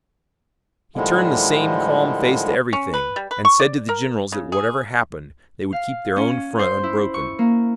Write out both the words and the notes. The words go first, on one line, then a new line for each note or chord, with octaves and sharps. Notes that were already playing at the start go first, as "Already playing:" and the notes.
He turned the same calm face to everything, and said to the generals that whatever happened they would keep their own front unbroken.
A2 D3 D#3 F3 G3 G#3
C#4
B4
G3
B4
C#6
D5
A#4
C#3
G#4
F5
C#4
C5
E4
C#6
A#3